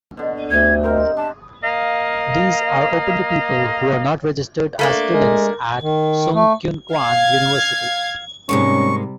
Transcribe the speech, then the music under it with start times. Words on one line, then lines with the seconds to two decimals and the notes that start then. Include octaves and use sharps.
These are open to people who are not registered as students at Sungkyunkwan University.
0.17 B2 D3
0.50 D2 C3 G#6
0.83 C4 D#4 A#4 C5
1.17 D4 A5
1.63 A#3 D#5 F5
4.79 A3 A#3 D4
5.13 G#3 A#4
5.82 D#3
6.34 A3
6.93 F5 G#6
8.49 G#2 C3 G3 G#3 A#3 C#4 C#6